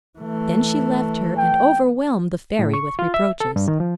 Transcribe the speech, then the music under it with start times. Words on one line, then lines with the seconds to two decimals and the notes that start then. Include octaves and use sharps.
Then she left her, and overwhelmed the fairy with reproaches.
0.19 E3 A3
1.37 G5
2.59 A2
2.74 C#6
2.99 F4
3.14 E5
3.40 A4
3.56 G2
3.68 D#3
3.80 F3